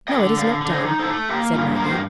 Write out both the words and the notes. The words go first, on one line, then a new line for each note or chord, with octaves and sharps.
"No, it is not done," said Maggie.
D#5 G5
D3
D3 D5 F5
D3
C5 D#5
D#4
A4 C5
A3
A#3 G4 A#4
G2 F4
A#3 A#4
C5
G4 A#4